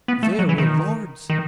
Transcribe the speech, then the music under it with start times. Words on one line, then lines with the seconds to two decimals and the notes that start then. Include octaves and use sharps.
There were lords!
0.08 B3
0.23 A3
0.39 F#3
0.49 E3
0.58 D#3
1.30 D#3